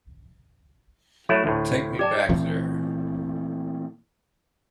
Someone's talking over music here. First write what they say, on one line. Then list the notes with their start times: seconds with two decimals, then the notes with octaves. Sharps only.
Take me back there.
1.29 F#3 A3 E4
1.44 D2 A2
1.99 G4 D5 A5
2.29 A#2 E3 A3 C4